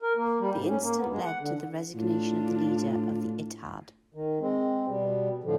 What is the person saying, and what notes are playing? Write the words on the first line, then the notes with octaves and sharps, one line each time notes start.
The incident led to the resignation of the leader of the "Ittehad".
A#4
A#3
G3
G#2
C#4
A#3
B3
G#3
F#5
D3
A2 D4 F4
D#3
G#3 C4
B2 G3
A2 D3 F3